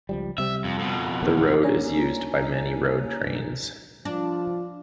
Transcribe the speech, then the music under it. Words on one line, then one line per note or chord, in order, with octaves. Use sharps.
The road is used by many road trains.
C#2 F3 G3
C3 G3 C4 E5
F2
F2 B2
A1 D#3 A#3
A#3 C#4 D4 C#5 G#5 A#5
F3 D4